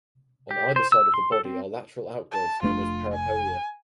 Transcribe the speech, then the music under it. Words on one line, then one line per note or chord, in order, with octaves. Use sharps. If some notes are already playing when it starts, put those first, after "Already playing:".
On either side of the body are lateral outgrowths known as parapodia.
G4
C5
E6
C6
A4
C4
A5
F1 A3 D4 F4
G#5